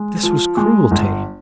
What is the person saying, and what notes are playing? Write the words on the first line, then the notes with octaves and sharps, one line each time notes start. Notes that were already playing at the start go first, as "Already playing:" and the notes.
This was cruelty.
Already playing: G#3
F3
G#3
G1